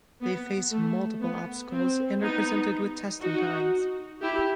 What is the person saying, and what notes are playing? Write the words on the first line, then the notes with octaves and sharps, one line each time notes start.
They face multiple obstacles and are presented with testing times.
B3
A3
B3
C4
B3 D#4
D#4 F#4
E4 G4